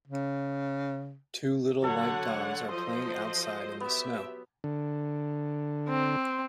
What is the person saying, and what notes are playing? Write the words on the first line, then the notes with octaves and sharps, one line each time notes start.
Two little white dogs are playing outside in the snow.
C#3
D3 F#3 A4 C#5 F#5
F3 C5 D#5 C6
B3 G4 E5
D3
C4